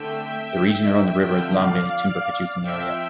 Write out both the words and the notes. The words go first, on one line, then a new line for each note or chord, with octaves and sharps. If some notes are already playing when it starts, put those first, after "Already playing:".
The region around the river has long been a timber-producing area.
Already playing: D3 A3 C4 E5 G5
D3 F3 C4 E5 G5
D5 F5
F3 C4 E5 G5